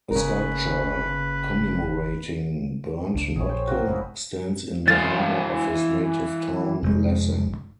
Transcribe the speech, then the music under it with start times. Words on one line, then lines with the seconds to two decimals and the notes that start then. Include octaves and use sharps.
A sculpture commemorating Bernt Notke stands in the harbour of his native town Lassan.
0.11 F#1 C#3 A#4 B4
3.15 C#2 D4
3.36 A#1 G#4 C#5
3.49 C5 G5
3.68 A#3 C4 F#4
3.87 F1 G#2 G#3 E4
4.88 E3 F5 A6
6.83 F1 G#3